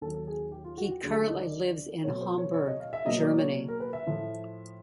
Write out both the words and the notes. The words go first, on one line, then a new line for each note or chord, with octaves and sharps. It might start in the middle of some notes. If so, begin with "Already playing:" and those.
He currently lives in Hamburg, Germany.
D#2 D#3 F#3 A4
G#4
G4
F4
F#4
G4
D2 D3 F#3 A3 G#4
A4
D#5
D5
B2 F#3 A3 C4 C#5
C5
C#5
C#5
D#5
F5
E5
B2 F#3 A#3 D#5
D5
C#5
A#4
B4
E5
A2 F3 A3